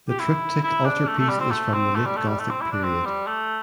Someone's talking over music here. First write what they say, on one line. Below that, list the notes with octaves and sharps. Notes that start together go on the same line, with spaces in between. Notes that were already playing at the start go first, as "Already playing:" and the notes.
The triptych altarpiece is from the Late Gothic period.
G4
E4
E4
D4
A3
A3
G3
C4
A3
C4
A3
G3
A3
G3
A3
C4
E4
D4
C4
G3
A3